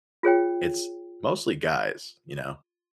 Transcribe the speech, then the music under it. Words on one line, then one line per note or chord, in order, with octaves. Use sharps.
it's mostly guys, you know,
F4 G#4 C#5 G5